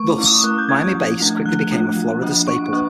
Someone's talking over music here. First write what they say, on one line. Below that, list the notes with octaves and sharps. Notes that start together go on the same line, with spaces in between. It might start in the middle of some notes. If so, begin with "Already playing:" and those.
Thus, Miami bass quickly became a Florida staple.
Already playing: A3 C#6
D6
C#4 E4
D#6
A3 F#6
G6
C#4 E4 G#6
F3
A3 D4 F4
F3 F#6
A3 D4 F4
F3
A#3 D4 F4
F3 C#6
C#6
A#3 D4 F4